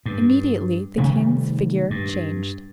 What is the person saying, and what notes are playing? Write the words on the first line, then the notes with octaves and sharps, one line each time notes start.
Immediately the king's figure changed.
G2
C3 D#3 G3 A3
G2